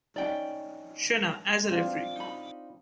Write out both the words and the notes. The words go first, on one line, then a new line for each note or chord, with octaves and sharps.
Shena as a referee.
C#4 D#4 D5 G5
C4 D4 F4
D#4 B5